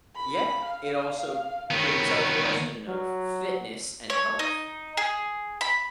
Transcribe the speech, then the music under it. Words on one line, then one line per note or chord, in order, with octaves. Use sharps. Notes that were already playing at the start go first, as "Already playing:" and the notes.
Yeah. It also br brings up the question of fitness and health.
B5
F5
D#3 B3 A#4 C#5
F#3
C#5
D#4
G#4
B5